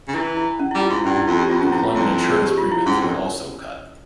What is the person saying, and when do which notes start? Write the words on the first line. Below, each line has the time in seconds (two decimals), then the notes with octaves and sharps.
Employment Insurance premiums were also cut.
0.08 C#3
0.14 E3 E4
0.37 E4
0.59 C#4
0.71 G3 E4
0.82 F4
0.89 G#2 E4
1.05 G2 C#4
1.16 E4
1.27 F2 F4
1.39 G4
1.50 F2 F4
1.61 C#4
1.72 E4
1.84 F4
1.95 F2 E4
2.30 G#4
2.44 G4
2.58 F4
2.72 E4
2.86 G#2 C#4
3.01 F2